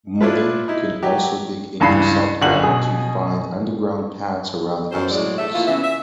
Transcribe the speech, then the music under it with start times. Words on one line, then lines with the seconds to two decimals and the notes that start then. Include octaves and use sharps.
Muddy can also dig into soft ground to find underground paths around obstacles.
0.21 D4 E4 F4 B4
0.68 D#4 E4
1.03 F#3 G4
1.80 C#2 G2 E3 B5 C7
2.42 G1 F#5 F#7
2.63 B2 G#4
4.91 F#2 C5
5.11 A2 E3 F#3 G#3 D5
5.38 A3 E5
5.53 E3 A3 A#3 F4
5.67 C#3 E3 B3 E5
5.82 E5